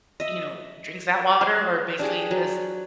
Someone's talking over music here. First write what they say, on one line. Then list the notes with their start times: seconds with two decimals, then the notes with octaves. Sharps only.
you know, drinks that water or, basically, in this
0.20 D#5 E5
1.41 C5
1.99 D4 G4 G#4
2.31 F#3